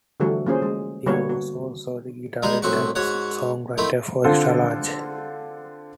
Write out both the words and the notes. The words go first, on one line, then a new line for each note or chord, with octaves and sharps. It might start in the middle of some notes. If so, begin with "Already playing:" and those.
He was also the guitarist and songwriter for Xtra Large.
D3 E3 F3 G3 A3 F#4
F3 A#3 C#4 G#4 C5
G#3
D3 G3 A#3 B3 F#4 C#5
F#4
G3 G#3 D#4 G#4
C2 A2 C4 F#4 C#6
G#2 F#4 C#5 F#5
A3 A#3 C4 D#4 E4
D3 C4 F4 A4 C5